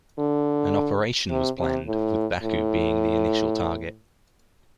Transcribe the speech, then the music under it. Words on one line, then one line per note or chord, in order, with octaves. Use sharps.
An operation was planned, with Baku being the initial target.
D3
C3
C3
A2
A2